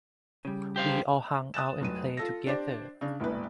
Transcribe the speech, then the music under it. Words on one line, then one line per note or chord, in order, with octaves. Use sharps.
We all hung out and played together.
C#3 G3
G4 C5 F5
D#6 F#6 A6 E7
F1 F#3 D#7
F4 A4 A#6
D4 G4 C5 D5
C#3 D4
E1 A#1 A2 B4